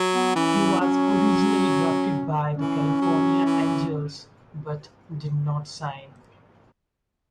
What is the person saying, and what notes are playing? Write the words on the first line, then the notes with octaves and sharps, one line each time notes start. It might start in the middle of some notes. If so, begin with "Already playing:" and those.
He was originally drafted by the California Angels but did not sign.
Already playing: F#3
B3
E3 C#4
C#4
F#3 C#4
E3 C#4
F#3
E3